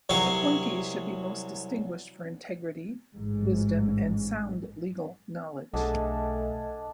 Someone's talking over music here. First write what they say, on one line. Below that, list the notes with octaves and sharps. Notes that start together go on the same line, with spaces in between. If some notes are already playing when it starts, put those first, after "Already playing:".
Appointees should be most distinguished for integrity, wisdom and sound legal knowledge.
C2 F#3 C#5 F5
A1 G#2
B1 A3 D4 G#4 A4 D#5 F#5